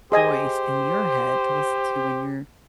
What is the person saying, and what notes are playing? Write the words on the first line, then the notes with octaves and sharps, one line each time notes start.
voice in your head to listen to when you're
G4 G#4 C5 D#5 G#5